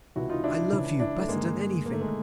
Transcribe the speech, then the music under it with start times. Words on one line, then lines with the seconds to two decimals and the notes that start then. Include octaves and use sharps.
I love you better than anything.
0.16 C#2 C3 E3 E4 F#4
0.30 D#4 F4
0.44 D4 E4
0.72 C#2 C#3 E3
1.00 D4 E4
1.19 A3
1.28 G2 D3 G#3 A#3
1.85 D3 A#3
1.89 D#2 A3
2.01 G#3 A#3